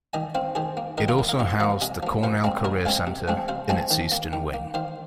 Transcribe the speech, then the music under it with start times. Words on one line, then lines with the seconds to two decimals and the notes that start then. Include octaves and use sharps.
It also housed the Cornell Career Center in its eastern wing.
0.13 D#3 D#5 G#5
0.35 C4 C5 F5
0.55 D#3 G#4 C5
0.77 A#3
0.98 D#3 A#4 D#5
1.08 F4 A#4
1.19 A#3
1.29 F5 A#5
1.39 C3 F5 A#5
1.50 C6
1.60 F3 F5 A#5
1.64 A#3
1.82 C3 D#5 G#5
2.03 F3 A#3
2.23 A#2 C5 F5
2.44 G#3 C4 F5 A#5
2.65 A#2 A#4 D#5
2.85 G#3 C4 C5 F5
3.07 C3
3.28 F3 G#3 C4
3.48 C3 C5 F5
3.69 F3 G#3 C4 D#5 G#5
3.91 D#3
4.12 A#3
4.33 D#3
4.54 A#3
4.74 D#3 C5 F5